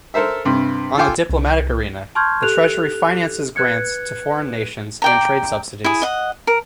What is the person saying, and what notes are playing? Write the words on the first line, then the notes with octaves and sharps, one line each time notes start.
On the Diplomatic arena the treasury finances grants to foreign nations and trade subsidies.
A4 A#4 C5 E5
G2 C3
F4 A4 F5 G5 G#5 D6
C2
A5 C6 C#6 F6 G6 G#6
G4 A4 F#6 F7
B4 F#6 G#6 C#7
D5 G5 A#5
E4 G#4
D#5 F#5
A#4